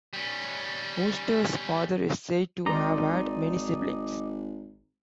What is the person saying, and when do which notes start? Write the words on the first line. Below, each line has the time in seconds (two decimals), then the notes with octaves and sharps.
Wooster's father is said to have had many siblings.
0.13 G3 C#4
2.66 G#1 D#4 D5 A#5 C6